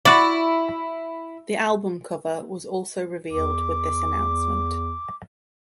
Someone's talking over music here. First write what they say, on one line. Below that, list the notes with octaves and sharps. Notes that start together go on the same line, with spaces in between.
The album cover was also revealed with this announcement.
E4 F#4 D5
E2 D6